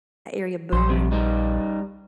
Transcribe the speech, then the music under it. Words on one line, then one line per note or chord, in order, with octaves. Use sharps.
area, Boone,
A#1 C5
F2 C3
G3 D#4